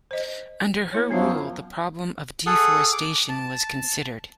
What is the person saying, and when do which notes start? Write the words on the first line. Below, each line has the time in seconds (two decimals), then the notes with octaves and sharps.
Under her rule the problem of deforestation was considered.
0.11 C5 D#5
0.93 B3 E4 C#5
1.11 F#2 F3 F#3 B3 D4 E5
2.46 G#4 A4 F#5 D#6
2.92 D6
3.29 A5